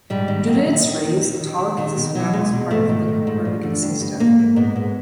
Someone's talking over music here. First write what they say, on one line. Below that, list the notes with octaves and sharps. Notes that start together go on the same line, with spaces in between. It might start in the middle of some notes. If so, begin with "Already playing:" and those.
Due to its rays, Autolycus is mapped as part of the Copernican System.
G#2 G3
D#3
D#2 F#3
D#3
D#3
D#2
D#3
D#3
D#3
D#3
B2
B2 F#3
E2 G#3
B2
G#2 A3
D#3
G#2
G#2
G2
D3
G2
G2
G#2 A#3
G#2
G#2 B3
G#2